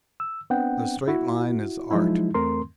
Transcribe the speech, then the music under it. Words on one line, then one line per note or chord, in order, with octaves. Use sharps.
The straight line is Art.
E6
B3 C4 D4 F#5 G5
E4 F#4
F3 F#3 G#3 D#4 E4
E2 A3 C4 A#4 C6